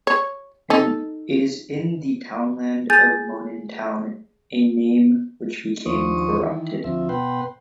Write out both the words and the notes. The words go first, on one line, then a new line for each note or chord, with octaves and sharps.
It is in the townland of Monintown, a name which became corrupted.
C#5
D#4 A4
G#4 G#5 G6 A6
D#2 F3 D4 C5 C#6 D#6
D#3 E3
D2 F3 C4 E5
B2 B4 F#5 G5 C6